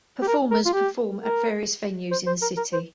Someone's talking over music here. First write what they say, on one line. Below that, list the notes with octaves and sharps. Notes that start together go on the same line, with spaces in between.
Performers perform at various venues in the city.
G4
A#4
A#4
F4
G4
A#4
C5
C5
A#4
A#4
C5